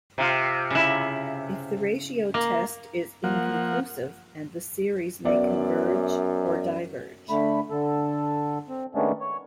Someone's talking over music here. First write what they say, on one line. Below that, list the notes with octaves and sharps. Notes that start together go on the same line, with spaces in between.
If the ratio test is inconclusive, and the series may converge or diverge.
C3 F4
C#3 E4
A#3
F3 A#3 F#5
F#2 B3 D5 E5
D3 A3 B5
D3 A4
C4
D#3 G#3 A3 B3 C#4 D4
C#5